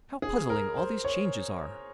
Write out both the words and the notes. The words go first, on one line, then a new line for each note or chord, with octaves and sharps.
How puzzling all these changes are!
G#4
A#4
C5
C#5